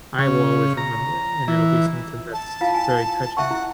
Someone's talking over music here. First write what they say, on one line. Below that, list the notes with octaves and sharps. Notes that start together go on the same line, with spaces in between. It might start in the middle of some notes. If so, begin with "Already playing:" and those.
I will always remember it, and it'll be something that's very touching
C#3
A#5
E3
A5
E4 F4 F5
G#5
E5 F#5 A5 C#6
E4